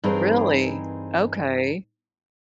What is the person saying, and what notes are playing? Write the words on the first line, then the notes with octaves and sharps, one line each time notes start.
Really? Okay.
G2 E3 C4 D#4 G#4 A#4